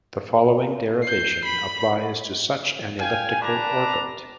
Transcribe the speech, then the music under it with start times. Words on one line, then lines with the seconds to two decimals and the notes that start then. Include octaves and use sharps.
The following derivation applies to such an elliptical orbit.
1.02 G6 C7
1.45 B5
3.00 F5 G5 G#5
3.41 D4 B4 D5 A5 A#5